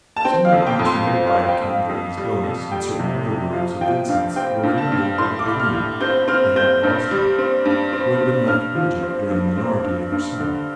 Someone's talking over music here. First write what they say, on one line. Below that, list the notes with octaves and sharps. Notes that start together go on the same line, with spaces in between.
Some remarks made by the King during his illness and certain other words of Vincent's were remembered by the Queen, Anne of Austria, who had been left Regent during the minority of her son.
A5
C4 G5
F5
F2
G5
F2
C6
C4
F5
C4
F5
G5
F2
F5
F2
G3
F2
G3 G5
C3
F2
F3 F5
F3 G5
G2 F5
C4 G5
G2
A5
G2
A2 C6
D6
A2
F6
A2
C4 G6
C4 F6
C4 G6
G2
G3
C4
G2
C4
C4
G2 F6
F3
C4
G2
C4
G2
G2
D3